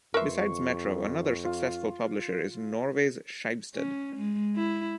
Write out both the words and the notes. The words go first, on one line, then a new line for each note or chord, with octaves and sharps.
Besides Metro, another successful publisher is Norway's Schibsted.
F2 A#4 B4 E5 C6 C#6
F4
C#4
G#3
E4